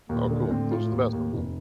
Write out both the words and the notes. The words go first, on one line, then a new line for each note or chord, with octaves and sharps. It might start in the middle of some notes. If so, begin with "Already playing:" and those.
Oh, cool. Those are the best ones, then.
D#2 A#2
D3
A2 C4
F4
D#2
D#2
F1